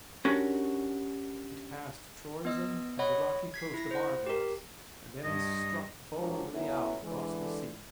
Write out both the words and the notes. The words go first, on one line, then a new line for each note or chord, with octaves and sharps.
It passed Troezen and the rocky coast of Argos, and then struck boldly out across the sea.
C#4 D4 F#4 G4 A#4
B3 D#5 E6
C#5 D#5 F#5 B5
G#6 B6 C7
E4 A#6
C5 F#5
G4 A#4
G2 D#5
F3 F#3 G#3 D4 F4 A#4
A2 F#3 B3 C#4 E4
D3 E3 G#3